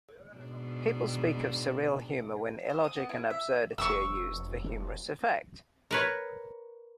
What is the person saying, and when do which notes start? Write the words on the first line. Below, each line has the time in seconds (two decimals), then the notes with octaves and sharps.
People speak of surreal humour when illogic and absurdity are used for humorous effect.
0.34 G#2 B2 D4
2.70 C5
2.84 D#6
2.96 B3
3.09 E4
3.30 E5
3.78 F1 C#6 D#6 E6
5.91 A#4 B4 C#5